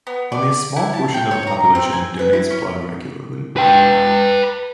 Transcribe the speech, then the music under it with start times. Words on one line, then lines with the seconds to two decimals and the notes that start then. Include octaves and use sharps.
Only a small part of the population donates blood regularly.
0.07 B3
0.32 D5
0.76 E4
0.94 A5
1.14 G5
1.31 C#5
1.47 A#5
1.75 C4
1.93 G#5
2.19 B4
2.33 E4
2.51 C#4
3.57 B4 G5